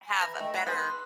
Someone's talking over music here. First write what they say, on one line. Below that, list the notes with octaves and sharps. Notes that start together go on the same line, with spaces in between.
have a better
G#5
B4 E5 A#5 A#6
A3 D#5 E5 G5
B5 F#6
B3 G#4 B4 C6 E6 F#6